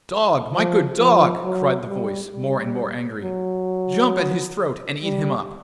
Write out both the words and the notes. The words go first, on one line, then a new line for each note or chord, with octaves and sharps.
'Dog, my good dog,' cried the voice, more and more angry, 'jump at his throat and eat him up.'
F3
F3
F#3
G3
G3
F#3
G3